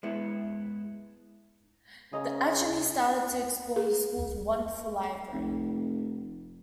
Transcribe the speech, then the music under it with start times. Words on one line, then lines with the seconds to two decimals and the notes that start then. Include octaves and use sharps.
Achebe started to explore the school's "wonderful library".
0.03 G#3 B3 E4
2.13 C#3 G#4 D#5 A#5
3.76 G#4
5.33 F1